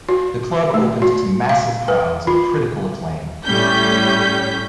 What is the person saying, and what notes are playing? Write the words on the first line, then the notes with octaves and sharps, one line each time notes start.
The club opened to massive crowds and critical acclaim.
F#4
A3
F#4
F5
B4
F4
A2 G3 C#4 G6 B6